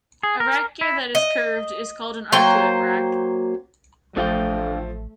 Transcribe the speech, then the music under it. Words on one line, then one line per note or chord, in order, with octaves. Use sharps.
A rack gear that is curved is called an arcuate rack.
G#4
A#4
E4
D#5
F#3 A#3 C5 G5
A1 D3 F3 A3 F4 G5